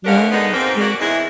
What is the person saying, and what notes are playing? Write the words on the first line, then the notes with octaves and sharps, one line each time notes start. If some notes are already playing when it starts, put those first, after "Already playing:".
Yes, see, uh,
D3 B3 C#4 D4 A#4 F5
B2 D3 G#3 B3 D#4
G#2 B2 A#3 C4
A#3 B3 F#4 D5
E2 E3 G#3 D#4 E4